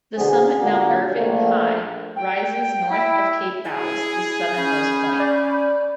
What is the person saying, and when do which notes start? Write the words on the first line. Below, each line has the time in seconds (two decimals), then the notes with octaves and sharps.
The summit Mount Irving, high, rises north of Cape Bowles, the southernmost point.
0.16 B2 D3 C4 G#4
0.60 A#2 D3 G3 A#3 F4 F#4
1.16 A#1 A3 A#3
2.16 G5
2.91 E4
3.65 E4 G#4
4.57 C#4 B5 G6
5.20 D5